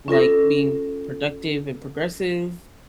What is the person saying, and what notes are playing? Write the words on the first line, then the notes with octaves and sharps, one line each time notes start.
like, being productive and progressive
C#4 F4 A4 A#6